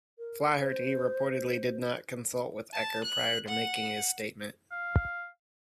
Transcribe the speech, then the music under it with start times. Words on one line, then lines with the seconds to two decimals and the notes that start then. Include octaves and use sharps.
Flaherty reportedly did not consult with Ecker prior to making his statement.
0.18 A#4
0.61 C5
2.74 A5
3.04 F#6
3.48 F#5
4.71 F5